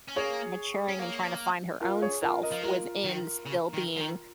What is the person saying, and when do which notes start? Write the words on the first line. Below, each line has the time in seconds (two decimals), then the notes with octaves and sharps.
maturing, and trying to find her own self within still being,
0.09 C#4
0.16 A#3 G#4 C#5
0.88 C#4
0.99 A#3
1.81 F4 A#4
2.02 G#4 C#5
2.22 F4 A#4
2.43 A#4 D#5
2.52 F3
2.63 G#3 F4 A#4
3.04 D#3
3.46 C#3
3.73 D#3
3.96 F3
4.00 D#3